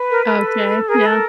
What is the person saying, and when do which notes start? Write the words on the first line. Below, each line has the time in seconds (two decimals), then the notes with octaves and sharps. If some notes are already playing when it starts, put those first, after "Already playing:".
Okay, yeah.
Already playing: B4
0.11 A#4
0.26 A#4
0.37 A4
0.88 G#4 A#4
0.98 B4
1.06 A4 A#4